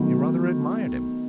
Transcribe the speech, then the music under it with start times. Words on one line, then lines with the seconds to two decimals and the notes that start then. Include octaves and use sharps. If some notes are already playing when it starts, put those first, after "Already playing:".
They rather admired him.
Already playing: D#3 F#3 A3 B3